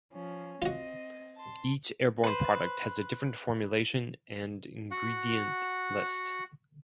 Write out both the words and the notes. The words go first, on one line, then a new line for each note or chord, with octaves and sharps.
Each Airborne product has a different formulation and ingredient list.
F3 C#4
C4 F4 F#4 D#5
A5 C6
B4 C5
F#4 F#5